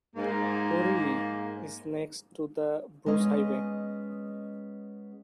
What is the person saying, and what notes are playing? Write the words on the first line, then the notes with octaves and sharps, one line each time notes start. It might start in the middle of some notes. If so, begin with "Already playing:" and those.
Woree is next to the Bruce Highway.
G#2 A#3
G#3 B3 C#4 D#5